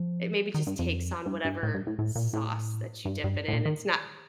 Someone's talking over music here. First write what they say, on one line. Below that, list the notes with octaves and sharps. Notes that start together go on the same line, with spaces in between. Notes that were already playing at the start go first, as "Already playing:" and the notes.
It maybe just takes on whatever sauce that you dip it in. It's not
Already playing: F3
D#3
G2
F2
G2
G2
A2
G2
A2
A2
A#2
A2
G2
G2
A2
A#2
D#3